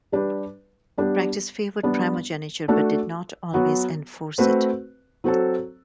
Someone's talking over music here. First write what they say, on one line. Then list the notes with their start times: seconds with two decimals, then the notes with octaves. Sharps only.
Practice favoured primogeniture but did not always enforce it.
0.12 G3 D4 G4 B4
0.98 G3 B3 D4 G4
1.83 G3 B3 D4
2.68 A3 D4 F#4 A4
3.53 F#3 B3 F#4
4.38 A3 C4 F#4 B4
5.24 F#3 C4 F#4 A4